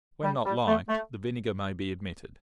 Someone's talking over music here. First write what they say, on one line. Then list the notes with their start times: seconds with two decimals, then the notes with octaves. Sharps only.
When not liked, the vinegar may be omitted.
0.23 G3
0.46 G3
0.68 A3
0.89 A3